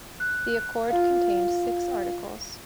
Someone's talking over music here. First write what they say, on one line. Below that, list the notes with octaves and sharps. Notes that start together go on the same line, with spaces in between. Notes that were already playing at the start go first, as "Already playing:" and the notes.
The accord contained six articles.
F#6
F4 F5